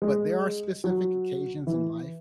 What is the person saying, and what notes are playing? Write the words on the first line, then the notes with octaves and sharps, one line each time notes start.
but there are specific occasions in life
G#3
F#3
E3